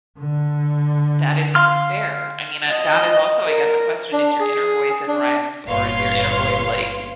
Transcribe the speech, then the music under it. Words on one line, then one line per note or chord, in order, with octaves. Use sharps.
That is fair. I mean, uh, that is also, I guess, a question, is your inner voice in rhymes or is your inner voice, like,
D3
F5 C6 F6
D#5
A#4
D4
G#4
D4
G1 A#2 B4 C#5 F5 C6